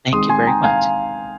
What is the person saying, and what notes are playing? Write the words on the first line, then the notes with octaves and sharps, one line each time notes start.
Thank you very much.
D#3 G#3 C4 C6 D#6
G#5 C6
G5 A#5
F5 G#5